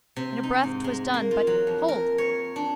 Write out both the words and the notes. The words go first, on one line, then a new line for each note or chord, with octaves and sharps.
In a breath 'twas done but--hold!
C3
D#4
G#2
G#3
A#3
F4
F#3
F2
A#4
C#5
D4